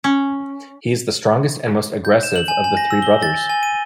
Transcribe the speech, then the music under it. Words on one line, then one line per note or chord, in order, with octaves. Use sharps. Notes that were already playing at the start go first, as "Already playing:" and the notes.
He is the strongest and most aggressive of the three brothers.
C#4
G6
E7
F#7
G#5
G#5
A#6
E6
G7
A6
G7
G#5
D#7